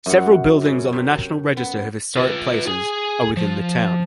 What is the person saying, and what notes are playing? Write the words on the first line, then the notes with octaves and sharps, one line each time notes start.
Several buildings on the National Register of Historic Places are within the town.
F#2 F#3 F#5
G#2 C#3
C3
B3
F4 B4
G#4 G#5
F3